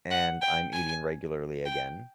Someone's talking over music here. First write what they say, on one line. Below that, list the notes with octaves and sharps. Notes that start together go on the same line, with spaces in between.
And I'm eating regularly again.
F#5
G5
G#5
G5